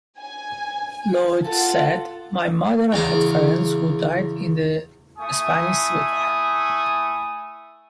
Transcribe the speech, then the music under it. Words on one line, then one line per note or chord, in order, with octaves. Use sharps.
Lloyd said: my mother had friends who died in the Spanish Civil War.
G#5
F4 A4 F#5
E2 C#3 F5 A#5
A3 E4 G#5 D#6